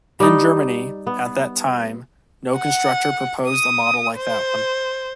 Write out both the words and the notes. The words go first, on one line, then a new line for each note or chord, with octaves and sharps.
In Germany. at that time, no constructor proposed a model like that one.
G3 D#4
B3
F#5
D#6
C5